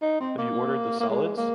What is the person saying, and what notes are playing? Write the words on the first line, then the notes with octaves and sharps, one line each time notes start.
Have you ordered the solids?
D#4
C4
A#3
A#3
G#3
A#3